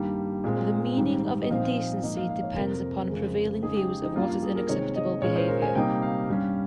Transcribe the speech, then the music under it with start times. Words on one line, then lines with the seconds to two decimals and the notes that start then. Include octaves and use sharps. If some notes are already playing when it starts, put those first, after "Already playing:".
The meaning of indecency depends upon prevailing views of what is unacceptable behaviour.
Already playing: G2 D#3 G3 A#3
0.44 A#2 G#3 C4
0.97 G#2 D#3 G3
1.42 D#5
1.50 A#2 F3 C4 D#4 F5
2.03 G#2 F3 A#3 D#5
2.17 F5
2.29 F5
2.43 C#5
2.56 F2 C3 F3 A#4
3.09 F2 C#3 G#3
3.63 C#3 G#3 D#4 G#4
3.76 G4
3.89 G4
4.02 D#4
4.16 G2 G3 A#3 C#4 F4
4.29 F4
4.42 G#4
4.56 A#4
4.69 C3 D#3 G#3 C#5
4.96 D#5
5.22 A#2 G#3 C#4 C#5
5.36 C5
5.48 A#4
5.62 G#5
5.75 C3 G3 A#3 D#4 G5
6.02 F5
6.28 G2 G3 C#4